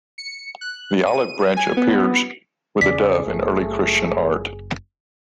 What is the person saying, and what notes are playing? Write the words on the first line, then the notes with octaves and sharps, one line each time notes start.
The olive branch appears with a dove in early Christian art.
C#7
F#6
D#7
G#5
B3
E2 C#3 C#4 G#4 D5 B6
F#1 A3